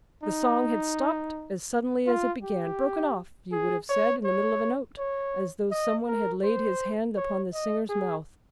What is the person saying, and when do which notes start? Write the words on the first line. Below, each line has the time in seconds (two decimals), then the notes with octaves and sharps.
The song had stopped as suddenly as it began--broken off, you would have said, in the middle of a note, as though someone had laid his hand upon the singer's mouth.
0.23 D#4
2.06 F4
2.43 G4
3.52 G#4
3.89 C#5
4.24 C#5
4.98 C#5
5.71 D#5
6.07 A#4
6.43 C5
7.16 C#5
7.53 D#5
7.89 G#4